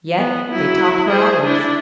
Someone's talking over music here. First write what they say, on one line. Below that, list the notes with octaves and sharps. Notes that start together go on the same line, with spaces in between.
Yet they talked for hours.
B3
F#3 E4
G#4 C5
D4 E4